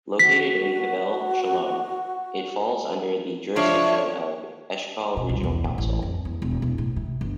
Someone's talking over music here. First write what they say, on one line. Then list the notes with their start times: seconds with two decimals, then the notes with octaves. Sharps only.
Located in Hevel Shalom, it falls under the jurisdiction of Eshkol Regional Council.
0.19 F#4 B6
3.56 F3 D4 C#5 E5
5.17 B2
5.29 C2
5.43 E2
5.64 A#2
5.78 A1
6.02 F2
6.25 E2
6.42 E1
6.62 E1
6.78 A2
6.96 C3
7.21 G1